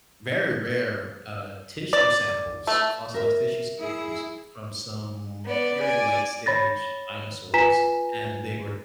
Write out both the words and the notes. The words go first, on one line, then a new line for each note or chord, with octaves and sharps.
very rare, uh, tissue samples, fossilized tissue samples from some very late-stage dinosaurs, and they were
D5
A3
A#4 E5
E4 G#4
B3 D5
D5 G#5
C#5 B5 A6 A#6
F4 B4 G#5 A#5 B6 E7